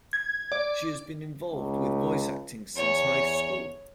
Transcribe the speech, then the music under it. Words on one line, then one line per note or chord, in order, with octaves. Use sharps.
She has been involved with voice acting since high school.
G#6
D5
C#2
E2 C#5